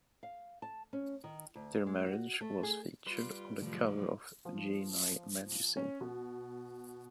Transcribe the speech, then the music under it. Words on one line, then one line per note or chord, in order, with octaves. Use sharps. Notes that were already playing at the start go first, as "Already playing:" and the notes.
Their marriage was featured on the cover of Geni Magazine.
F5
A5
C#4
D#3
D2
G#3
F#4
A3
G#4
G3 F4 B4 C6
A2 C3 D#3 F3 F#3 A3
F3
C#4
B2